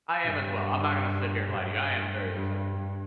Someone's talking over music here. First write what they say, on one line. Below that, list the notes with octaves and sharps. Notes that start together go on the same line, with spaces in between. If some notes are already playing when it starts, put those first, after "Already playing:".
I am as well. I'm not gonna sit here and lie to you. I am very excited as well.
G2
G2
G2
G2
G2